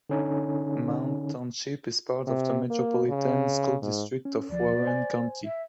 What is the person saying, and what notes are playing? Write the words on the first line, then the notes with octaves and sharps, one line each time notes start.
Mound Township is part of the Metropolitan School District of Warren County.
D3 C#4 D#4
C3
A#3
C#3
G#2
C#4
D2 F3 D5
C5 G#5
E5